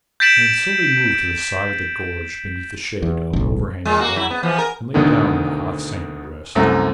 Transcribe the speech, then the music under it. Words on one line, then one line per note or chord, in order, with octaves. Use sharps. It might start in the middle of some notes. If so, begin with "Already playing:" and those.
And so they moved to the side of the gorge beneath the shade of an overhanging rock and lay down in the hot sand to rest.
G6 A6 B6 D7 E7 F#7
E2
D1 B1
A#2 G#3
A#3 F#4
F#3 E4
B3
E3 F3 B3
A#4
D2 B2 D3 D#3
C2 F#2 A3